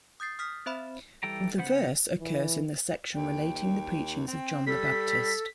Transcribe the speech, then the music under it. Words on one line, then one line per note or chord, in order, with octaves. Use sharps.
The verse occurs in the section relating the preachings of John the Baptist.
D#6 G6 A6 C7
D#6 F6 B6
C4 C5 E5 B5
E3 G3 A4 G5 A#5
C#3 B3 C5 F#5 B5
E3
D#2 G5
C4 G5
G3 A4 B6